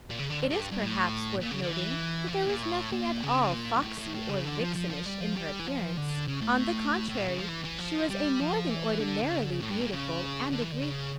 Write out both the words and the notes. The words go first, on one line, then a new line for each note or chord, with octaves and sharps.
It is perhaps worth noting that there was nothing at all foxy or vixenish in her appearance. On the contrary, she was a more than ordinarily beautiful and agreeable woman.
A#2
C#3
D3
G2
G2
A2
A#2
C#3
D3
E3
F3
E3
A#2
A2
A#2
C#3
A#2
G2
A2
A2
A2
C#3
D3
F3
F3
F3
G3
F3
G3
E3
F3
D3
C#3
A2
A2
A#2
C#3
F3
E3
E3
F3
G3
F3
E3
D3
D3
C#3
D3
C#3
A2
G2
A#2
C#3
D3
E3
D3
C#3